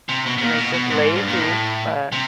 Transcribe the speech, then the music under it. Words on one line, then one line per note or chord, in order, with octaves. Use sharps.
It makes us lazy, but,
C3
B2
B2
A#2
B2
B2
G#2
G2
A#2
A2
C3